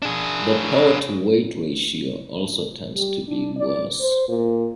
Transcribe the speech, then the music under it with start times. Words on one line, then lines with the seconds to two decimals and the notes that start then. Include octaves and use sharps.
The power to weight ratio also tends to be worse.
0.02 D4 G#4
2.95 G3
3.28 D4
3.57 D5
4.00 C5
4.28 A#2